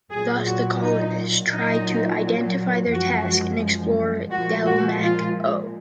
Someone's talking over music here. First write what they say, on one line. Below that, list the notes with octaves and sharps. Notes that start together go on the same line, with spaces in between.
Thus, the colonists try to identify their task and explore Delmak-O.
A#2 F#3 G#4
F#4
D#4
A#2 F#3 D#4
F#2 F3 G#3 F#4
A#2 F3 G#3 F#4
F#4
F4